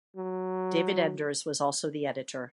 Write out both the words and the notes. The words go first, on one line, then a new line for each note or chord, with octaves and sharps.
David Enders was also the editor.
F#3